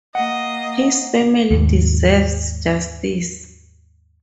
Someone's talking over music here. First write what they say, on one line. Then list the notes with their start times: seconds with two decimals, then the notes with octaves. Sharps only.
His family deserves justice.
0.15 A#3 D#5 F#5
1.51 D#2 G#2